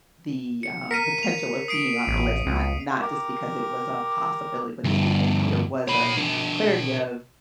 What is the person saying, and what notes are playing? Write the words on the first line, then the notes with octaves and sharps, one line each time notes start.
the, um, potential of being on the list, not not just because it was a possibility, but just because there was a clarity of
C#7
A#4 B6 C#7 D#7
F7
D#6 C7 D7
A1
C#2
G4 A#4
D2 G2
C#5 B5
D4 A#4